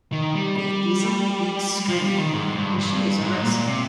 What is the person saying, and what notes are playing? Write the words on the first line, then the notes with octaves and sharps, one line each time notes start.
They easily beat Scream and she is arrested.
D#3
G3
G3
F3
G3
D#3
G#2
G2
G2
G#2
A#2
C3